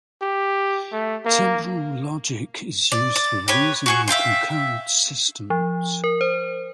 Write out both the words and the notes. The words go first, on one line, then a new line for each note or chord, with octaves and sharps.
Temporal logic is used for reasoning in concurrent systems.
G4
A3
A#3
D5
D5
G4 B4 C#5
F#4 G#4 C#6
E5 F5 G5 C6
F3
A#4
C5